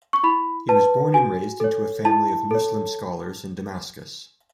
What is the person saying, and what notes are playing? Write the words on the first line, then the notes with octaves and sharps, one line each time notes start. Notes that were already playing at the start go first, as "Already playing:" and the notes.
He was born and raised into a family of Muslim scholars in Damascus.
C#6
E4 B5
B4 A5
F#4 G#5
A4 C#5
E4 A5
A4 C#5